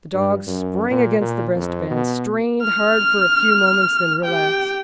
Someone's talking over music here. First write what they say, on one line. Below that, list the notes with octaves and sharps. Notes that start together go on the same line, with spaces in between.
The dogs sprang against the breast-bands, strained hard for a few moments, then relaxed.
G2
F#2
A#2
A#2
F2
B2
F6
G4 G5